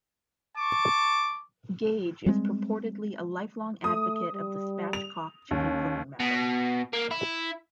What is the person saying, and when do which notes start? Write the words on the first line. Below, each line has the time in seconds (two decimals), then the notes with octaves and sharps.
Gage is purportedly a lifelong advocate of the Spatchcock chicken cooking method.
0.56 A5 C#6 D6
2.26 G3 G#3 C4
3.84 A3 D#6
4.34 G3
4.93 F7
5.51 D#2 C#4
6.20 B2
6.93 A#3
7.11 E4